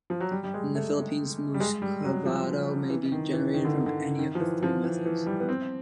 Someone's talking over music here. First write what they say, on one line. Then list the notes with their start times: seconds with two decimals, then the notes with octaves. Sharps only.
In the Philippines muscovado may be generated from any of the three methods.
0.10 F3
0.20 F#3
0.31 G3
0.44 G3
0.54 G#3
0.75 A3
1.54 G3
1.60 G#3
1.82 G3
2.04 F#3
2.25 F3
2.90 E3
3.12 D#3
3.33 E3
3.54 D#3
3.65 D3
3.74 D#3
3.86 D3
4.19 D#3
4.35 F3
4.40 E3
4.63 F3
4.84 E3
5.06 E3
5.26 G3
5.40 B3
5.49 C4